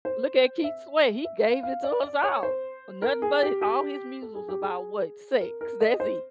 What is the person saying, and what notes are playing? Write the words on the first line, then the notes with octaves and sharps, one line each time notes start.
Look at Keith's way, he gave it to us all for nothing but hi all his muses about what, sex. That's it.
C5
E5
E5
F5
F5
D5
D5
C#5
C5
A#4
G#4
G4
G4
A4
G#4
G4
G#4
A#4
A#4
D#5
C5